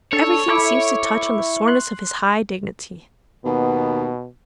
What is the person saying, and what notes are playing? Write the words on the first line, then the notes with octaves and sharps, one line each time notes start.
Everything seems to touch on the soreness of his high dignity.
D4 A4 C#5
E4 A4 C#6 D6
C6 F#6
D#2 B2 B3